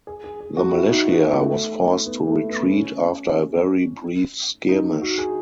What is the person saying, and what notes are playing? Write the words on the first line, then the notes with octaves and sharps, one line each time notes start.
The militia was forced to retreat after a very brief skirmish.
G#4
G#4
G#4
F#4
E4
D#4
B3
B3
A3
B3
A3
B3
C#4
D#4
F#4
G#4